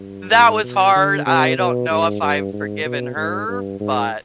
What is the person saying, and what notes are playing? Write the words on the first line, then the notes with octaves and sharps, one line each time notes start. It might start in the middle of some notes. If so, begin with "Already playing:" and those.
that was hard, I don't know if I've forgiven her but
Already playing: G2
G#2
B2
D3
C3
B2
G#2
G2
G#2
B2
G#2
G2
G#2